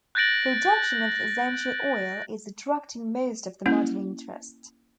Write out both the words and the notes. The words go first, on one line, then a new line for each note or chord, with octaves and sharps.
Production of essential oil is attracting most of the modern interest.
F#6 G6 A6 A#6 D7 F#7
A#3 C#4 E4